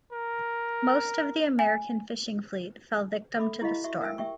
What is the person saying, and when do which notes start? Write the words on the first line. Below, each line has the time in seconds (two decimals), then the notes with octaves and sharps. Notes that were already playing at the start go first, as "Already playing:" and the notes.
Most of the American fishing fleet fell victim to the storm.
0.12 A#4
1.59 G#5
3.36 A4 E5 B5 D6
3.61 E4 G4 D#5 F5 B5
3.84 F#4 E5 C#6
4.00 A#4 E5 G5 G#5
4.18 G4 E5 G5 C#6